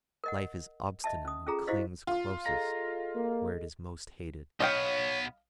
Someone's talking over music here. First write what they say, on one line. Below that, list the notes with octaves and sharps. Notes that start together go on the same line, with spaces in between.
Life is obstinate and clings closest where it is most hated.
A#4 D#5 F#5
D#5 E5 A5
C#4 D#6
C#4 F4 G#4 A4 A#5
E4 F#4 G4 C5 D#5 F5
F4
G#4 A4 D#5 A#5
A#3
B1 B3 C#5 D#5 F5 G5